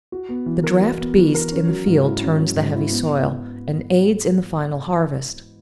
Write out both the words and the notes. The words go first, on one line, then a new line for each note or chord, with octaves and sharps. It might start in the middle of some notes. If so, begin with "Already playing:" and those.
The draft-beast in the field turns the heavy soil, and aids in the final harvest.
F#4
B3
E3
A#4
F#4
B3
E3
A#4
C#4
F#3
G#2
E4
C#4
F#3
G#2
E4
B3